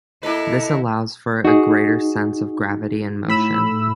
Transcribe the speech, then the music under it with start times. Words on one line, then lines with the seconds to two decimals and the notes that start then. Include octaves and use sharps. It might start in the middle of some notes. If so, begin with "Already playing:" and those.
This allows for a greater sense of gravity and motion.
0.23 A#3 E4 A4 B4 D#5
1.45 D#4 F#4 G#4
3.28 A2 B5 E6